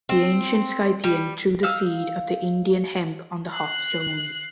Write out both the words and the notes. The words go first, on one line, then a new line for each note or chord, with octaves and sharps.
The ancient Scythian threw the seed of the Indian hemp on the hot stones.
C4
G3
D#4 F5 E6
F#6 C7